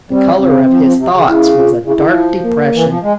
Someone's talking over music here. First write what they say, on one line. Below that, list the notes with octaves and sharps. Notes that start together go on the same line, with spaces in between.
The colour of his thoughts was a dark depression.
G3 C4
C#3 C4
F3
F3
C3
C#3
C#3 E4
F4
C#3 E4
C#3
F3
A#3
E3
F3
G#3